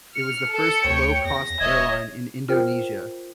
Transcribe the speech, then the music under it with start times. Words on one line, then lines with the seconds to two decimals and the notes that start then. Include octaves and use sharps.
It was the first low cost airline in Indonesia.
0.15 F6 C#7
0.51 A4
0.84 D2 C#5 G5
1.25 E2 A#6
1.60 E1 C#5 D#5 E5 G#6
2.49 F4 A#4 C5 G5